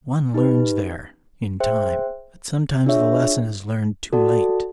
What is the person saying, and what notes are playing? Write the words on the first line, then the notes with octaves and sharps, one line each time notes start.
One learns there--in time--but sometimes the lesson is learned too late.
D#4 G4 B4
G#4 C5 E5 G5
D4 F4 G#4 C#5 E5
F#4 A4 D5 F#5 A5